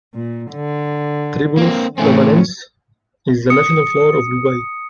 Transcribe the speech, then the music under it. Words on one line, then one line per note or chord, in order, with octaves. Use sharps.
"Tribulus omanense" is the national flower of Dubai.
A#2
D3
A#3 C4
A2 E3 A3 C4 C#4
D#6 C#7